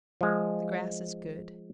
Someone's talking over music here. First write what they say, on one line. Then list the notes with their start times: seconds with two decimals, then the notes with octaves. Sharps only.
The grass is good.
0.21 F3 G#3